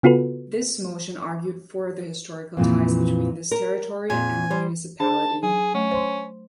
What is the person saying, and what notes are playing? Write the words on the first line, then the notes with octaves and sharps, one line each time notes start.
This motion argued for the historical ties between this territory and the municipality.
C#3 B3 F4 F#4 A4 B4
F2 A#2 E3
A#4
F2 A#2 G#5
G3 C5
D4 G#4 C5 A5
F#3 G#4
F#3 A3 C#4
C5 C6